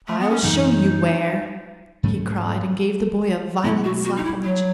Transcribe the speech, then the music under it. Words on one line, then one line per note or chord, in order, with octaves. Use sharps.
"I'll show you where!" he cried, and gave the boy a violent slap on the cheek.
A3
B3
C#4
F#2 E3 G#3 C#4 D#4
G#2 F#3 A3 C#4
B2 F#3 B3 E4
F#4
F#4
D#4
E4
F#3